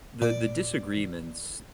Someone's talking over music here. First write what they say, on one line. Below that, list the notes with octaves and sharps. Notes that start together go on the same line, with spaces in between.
the the disagreements,
A#2 D5